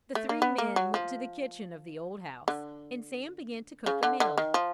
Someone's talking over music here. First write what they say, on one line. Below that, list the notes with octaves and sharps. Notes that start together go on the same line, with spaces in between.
The three men went to the kitchen of the old house, and Sam began to cook a meal.
A3
A#3
B3
A#3
F#3
F3
D3
C#3
D3
D3
D#3
F3